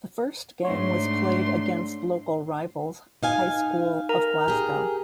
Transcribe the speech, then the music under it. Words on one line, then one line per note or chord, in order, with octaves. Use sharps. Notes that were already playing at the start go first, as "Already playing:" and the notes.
The first game was played against local rivals High School of Glasgow.
G#2 A3 D4 C#5 C6
D#4 F5 G#5
A#4 A#5
G4 G#4